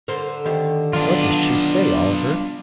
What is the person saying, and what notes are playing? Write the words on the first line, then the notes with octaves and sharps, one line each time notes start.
"What does she say, Oliver?"
D3 A#4 C5
D#3 G4
F#3 B3 D4 F4